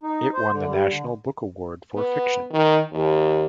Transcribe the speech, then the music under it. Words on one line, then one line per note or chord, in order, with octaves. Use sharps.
It won the National Book Award for fiction.
D#4
C5
D3
G3
D3
B3
D#3
D#2